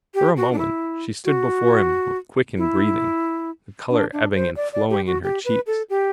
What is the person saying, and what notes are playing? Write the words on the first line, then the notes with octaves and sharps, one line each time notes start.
For a moment she stood before him with quickened breathing, the colour ebbing and flowing in her cheeks.
G4
F#4
D4
E4
F#4
E4
D4
D4
C5
D5
D5
G4
F#4
G4
B4
A4
G4